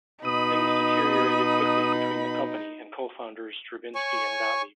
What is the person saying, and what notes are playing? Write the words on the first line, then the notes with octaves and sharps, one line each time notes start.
Things deteriorated quickly between the company and co-founders Drabinsky and Gottlieb.
B2 D#4 B5 D#6
C#5 G#5 C#6